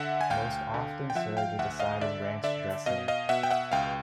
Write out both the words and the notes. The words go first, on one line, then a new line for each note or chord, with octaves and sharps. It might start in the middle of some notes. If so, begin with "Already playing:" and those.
Most often served with a side of Ranch dressing.
Already playing: D3 E5 F#5
G#5
D2 F5 G5
D3
G5
F3 E5 F#5
F5 G5
D2 E5 F#5
D#5 F5
D3 D5 E5
D3 D5 E5
B2 D#5 F5
D#5 F5
B2 E5 F#5
G5
E5 F#5
C#2 F5 G5